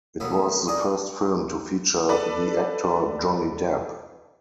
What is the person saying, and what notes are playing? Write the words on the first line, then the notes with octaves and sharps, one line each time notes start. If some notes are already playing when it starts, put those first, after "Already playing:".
It was the first film to feature the actor Johnny Depp.
D2 D#3 A#3 B3 C#4 A4
D#4 G#4 A#4 D5 D#5
A4 B4 D5